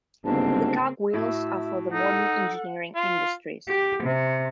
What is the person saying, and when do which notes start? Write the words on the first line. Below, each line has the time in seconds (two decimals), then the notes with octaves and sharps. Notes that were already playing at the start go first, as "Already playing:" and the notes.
The cogwheels are for the modern engineering industries.
0.25 G1 G#2 C#3 A#3 C4 A5
1.14 A2 F#4 E5
1.93 D#4 A4 F#5
2.96 F4
3.70 G4
4.03 C3